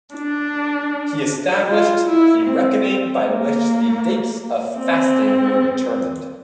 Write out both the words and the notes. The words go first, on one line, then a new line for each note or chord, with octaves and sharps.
He established the reckoning by which the dates of fasting were determined.
D4
F4
E4
C4
A#3
C4